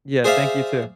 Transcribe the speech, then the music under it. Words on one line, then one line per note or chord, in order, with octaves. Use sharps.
Yeah, thank you, too.
G#4 C5 D5 E5 F5